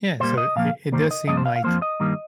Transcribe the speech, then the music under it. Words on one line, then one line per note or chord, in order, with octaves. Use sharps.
Yeah, so it it does seem like,
A#2 G3 A#3 C5
D#5
A#2 F3 A#3 F5
G2 D#3 G3 A#3 C5
D#5
G2 F3 A#3 D#5
C5
F5
F5
F2 F3 A#3 C5
D#5
G2 D#3 G3 A#3